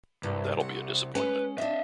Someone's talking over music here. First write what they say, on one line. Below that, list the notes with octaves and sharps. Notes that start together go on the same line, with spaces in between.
That'll be a disappointment.
C2 G2
F#5
G#3 C#4 B4
C4 D4 D#5 E5